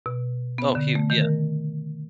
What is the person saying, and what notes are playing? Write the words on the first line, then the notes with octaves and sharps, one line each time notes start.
Oh, he w yeah.
B2
B3
D3
A3
D#3
A#4